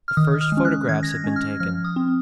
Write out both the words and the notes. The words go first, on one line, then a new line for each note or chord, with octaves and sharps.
The first photographs had been taken.
F6
D#3 D#6
F6
G#3
C#4
F#6
D#3 G#6
A#6
G#6
G#3 C#4
F6
F3 F6
D#6
C4